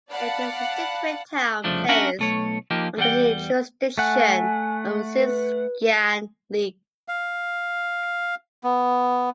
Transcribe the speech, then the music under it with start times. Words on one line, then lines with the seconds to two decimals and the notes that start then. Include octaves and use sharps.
It is a district town placed under he jurisdiction of the Xing’an league.
0.12 D5 F5 F#5 A5 B5
1.64 C2 F2 C#3 F3 A3 D4
1.89 C#4 D4 F#4 A#4 E5 F#5
2.19 B1 A3 C#5
2.71 F3 A#3 D#4 G4
2.97 E2 G3 G#4 F#5 G5
3.98 A3 F#5 G#5
5.18 B4
7.08 F5
8.64 B3